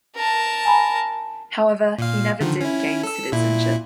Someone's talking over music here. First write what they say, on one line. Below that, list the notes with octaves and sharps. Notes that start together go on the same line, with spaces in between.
However, he never did gain citizenship.
A#4 A5
G#5 A#5 B5
A#2 F5
D3 D#3 F3
C#4 E4
A4 E6
A#2 E4